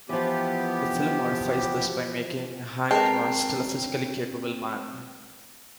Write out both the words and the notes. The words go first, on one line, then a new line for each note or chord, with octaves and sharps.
The film modifies this by making Hang Tuah still a physically capable man.
E3 F3 B3 G4
G#3 C4 A#4 B4 C#5 G5 A5 C7